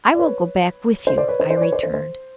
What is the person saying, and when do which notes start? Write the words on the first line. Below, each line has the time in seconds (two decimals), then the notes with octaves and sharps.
"I will go back with you," I returned.
0.15 D5
0.19 B4 C#5
1.07 C5
1.17 C5 D5
1.28 B4 C#5
1.40 C5
1.50 C5
1.57 D5
1.61 B4 C#5
1.72 C5 D5
1.83 C5
1.94 C5